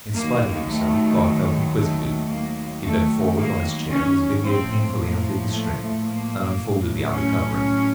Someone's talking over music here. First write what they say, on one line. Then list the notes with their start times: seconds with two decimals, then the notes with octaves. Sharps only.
In spite of himself Clarke felt inquisitive; he bent forward on his chair as Villiers painfully undid the string, and unfolded the outer covering.
0.13 D#2 D#3 F#3 A#3
0.67 A3
1.75 A3
2.29 D#2 D#3 F#3 A#3
2.82 A3
3.36 A#3
3.89 C#4
4.43 A2 F3 C4
4.97 A#3
5.51 A3
6.04 A#3
6.58 A2 F#3
7.12 C#4